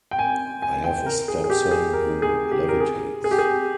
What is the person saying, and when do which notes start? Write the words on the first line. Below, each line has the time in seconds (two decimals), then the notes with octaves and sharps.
I have a stepson who levitates.
0.11 G5
0.19 G#5
0.62 G#5
0.84 G5
1.06 A#4
1.28 G#4
1.44 G#4
1.50 G4
1.71 G#4
1.93 A#4
2.22 G#4
2.51 G4
2.69 A#4
2.81 G#4
3.24 G#4
3.31 G4
3.39 G#4